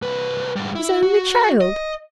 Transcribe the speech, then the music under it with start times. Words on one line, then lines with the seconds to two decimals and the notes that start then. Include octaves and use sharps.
His only child!
0.02 C2 B4
0.56 G#2 G3
0.76 E4
1.03 F#4
1.61 D#5